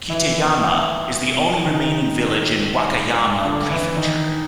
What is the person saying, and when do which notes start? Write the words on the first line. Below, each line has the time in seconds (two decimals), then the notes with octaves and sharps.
Kitayama is the only remaining village in Wakayama Prefecture.
0.10 E3 E4
1.64 D#3 D#4
3.45 D3 D4
3.71 E3 E4
3.96 D#3 D#4